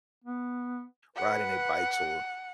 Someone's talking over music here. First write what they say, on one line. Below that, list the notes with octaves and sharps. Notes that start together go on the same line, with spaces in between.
riding their bikes or,
B3
B4 F#5